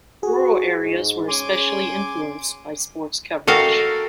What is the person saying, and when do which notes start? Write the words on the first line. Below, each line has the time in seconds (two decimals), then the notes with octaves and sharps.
Rural areas were especially influenced by sports coverage.
0.23 F#4 G#4
0.81 G#2
1.28 C#4 G#5 C6 D6
3.47 F#4 A4 A#4 D#5 F5 G5